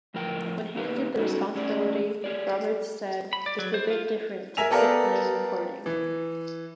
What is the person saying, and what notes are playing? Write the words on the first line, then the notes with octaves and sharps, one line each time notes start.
When handed the responsibility Roberts said It's a bit different to pit-lane reporting.
F2 A2 F3 A#4 G5
A#3 D#4 G4 B4
F#3 G3 C#4 D#4 F#4 D#5
A3 C#4 G4 G#4 D5
G4 G#4 D5
B5
D5
F#3
C5
F4
A#4 E5 G#5 F7
B3 G4 A4 A#4 D5 F5
E3